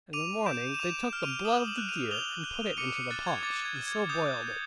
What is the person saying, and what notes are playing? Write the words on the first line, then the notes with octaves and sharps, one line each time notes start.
In the morning they took the blood of the deer, and put it into the paunch, and so boiled it.
D6 D#7 F7
G6 D7 E7
E7
D6 D#7 F7
F6
D#7 F7
D#6 E7 F#7
E7 F#7
F#6
D#7 F7
D#6 F7 G7
F#6
D6 C#7 D#7
C#7 D#7
F#6 A6
G#6
D6 A6
G#6
F#6
G#6
D#6 G6
G6